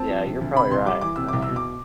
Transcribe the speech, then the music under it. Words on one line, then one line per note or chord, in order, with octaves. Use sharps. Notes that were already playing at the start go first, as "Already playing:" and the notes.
Yeah. You're probably right. Um,
Already playing: C4 A5
F3
C3
D2
C3 B5
C2 C6
G3 D6
E3 D6
C3 E6
C2 D6
E6
B2
D6